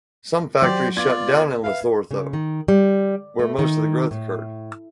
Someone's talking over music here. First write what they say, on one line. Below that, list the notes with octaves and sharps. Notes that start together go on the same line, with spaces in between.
Some factories shut down in Lesotho, where most of the growth occurred.
F#3 G4 C5 D5
B3 F4 D5 G#6
B4 E5 F5
C#3
D#3
G3
A3
D#3
A2